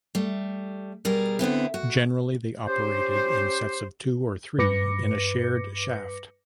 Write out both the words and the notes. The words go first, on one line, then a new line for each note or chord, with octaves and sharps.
Generally they operated in sets of two or three in a shared shaft.
G3 A3
B2 G3 G#4 A#4
D3 B3 C4 E4
F#4
C#4 G4 C5
G2 B4 D6 A#6 C#7